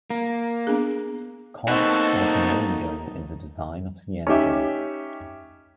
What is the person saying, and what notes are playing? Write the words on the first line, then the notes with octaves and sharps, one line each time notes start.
Cost was the main goal in the design of the engine.
A#3
B3 D4 G#4
B2 A3 A#3 C4 D#4 F#4 A4
C#4 D#4 G4 E5